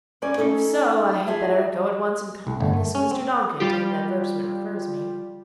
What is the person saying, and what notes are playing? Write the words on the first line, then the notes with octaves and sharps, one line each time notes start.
If so, I had better go at once and call on this Mr. Donkin, to whom the advertisement refers me.
F#2 G3 C#4 D5 G#5
A3 C#4 D#4 A4
F4 G#4 E5 A5
C2
G1
A3
C#4
C4
G3 F4 G4